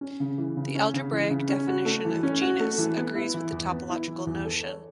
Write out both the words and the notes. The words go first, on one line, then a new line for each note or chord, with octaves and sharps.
The algebraic definition of genus agrees with the topological notion.
C#4
C#3
E3
C#3
C#4
C#3
E3
C#3
C#4
F#4
A3
E3
C#4
F#4
A3
E3
B3
E4
E3
E2
B3
E4
E3
E2
A4
C#5